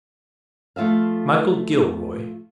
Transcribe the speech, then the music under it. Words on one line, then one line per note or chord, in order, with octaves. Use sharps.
"Michael Gilroy?"
F3 A3 F4 E5 F5